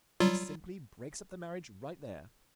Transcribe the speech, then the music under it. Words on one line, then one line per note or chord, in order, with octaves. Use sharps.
He simply breaks up the marriage right there.
F#3 G3 F4